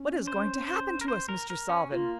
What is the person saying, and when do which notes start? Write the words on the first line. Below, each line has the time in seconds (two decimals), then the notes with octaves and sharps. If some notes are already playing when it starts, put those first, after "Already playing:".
What is going to happen to us, Mr. Salvin?
Already playing: C#4
0.27 C5
0.67 C5
1.01 A#4
1.08 C5
1.29 A#4
1.50 A#4
1.69 C#4
1.91 A#3 F4